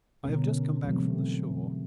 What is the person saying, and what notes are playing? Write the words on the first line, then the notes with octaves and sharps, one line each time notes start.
I have just come back from the shore.
B2 D3 G3 B3 C#4 A#4
B2 E3 F#3 G3 A3 C4